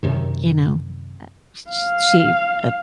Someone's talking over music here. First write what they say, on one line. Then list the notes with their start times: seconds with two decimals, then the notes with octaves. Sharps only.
you know, uh, sh sh she a
0.03 F#2 C3 D#3
1.70 F5